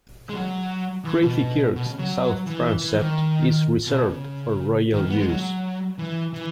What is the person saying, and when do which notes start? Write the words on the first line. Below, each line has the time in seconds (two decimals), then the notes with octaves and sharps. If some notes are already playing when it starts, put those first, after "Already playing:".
Crathie Kirk's south transept is reserved for royal use.
0.29 G#3
0.35 F#3
1.04 E3
1.23 B2
1.75 B2
1.87 C#3
1.99 F#3
2.46 E3
2.81 E3
2.99 D#3
3.87 B2
4.04 C#3
4.93 D#3
5.02 E3
5.10 B3
5.18 G#3
5.28 F#3
5.99 E3
6.33 E3